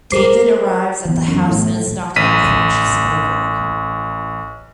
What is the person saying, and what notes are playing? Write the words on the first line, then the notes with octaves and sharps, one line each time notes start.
David arrives at the house and is knocked unconscious by Greg.
A#4 C5 D6 C7
E3 B3
F#2
A2
A1 B6 D#7